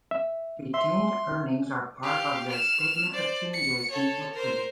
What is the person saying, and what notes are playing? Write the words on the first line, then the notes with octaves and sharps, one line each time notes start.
Retained Earnings are part of the "Statement of Changes in Equity".
E5
E5 C6
G4 F5
F6 E7
C5 D5
C#7
A4 C#5
A#4 C5